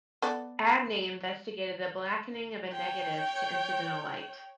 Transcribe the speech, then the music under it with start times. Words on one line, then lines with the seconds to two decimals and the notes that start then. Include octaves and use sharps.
Abney investigated the blackening of a negative to incidental light.
0.22 B3 A4 D5
2.69 C#5 G5